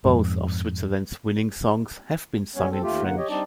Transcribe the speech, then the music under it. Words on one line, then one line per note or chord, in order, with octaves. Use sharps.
Both of Switzerland's winning songs have been sung in French.
F2 G#2
G3 B3 C#4 C#5
C4 A4
D#2 A3 F4 G4
E2 G2 D3 A#3 F#5
G4 C#5 D#5
G3 C4 D4 D#4 D5